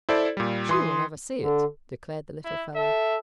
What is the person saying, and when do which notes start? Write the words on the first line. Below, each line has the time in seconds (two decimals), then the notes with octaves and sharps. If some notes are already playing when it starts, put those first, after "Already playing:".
"She will never see it," declared the little fellow.
0.09 E4 A4 C5 D5
0.37 A#2 G3
0.69 E3 C6 D#6
1.41 D3
2.45 E4
2.76 A4 E5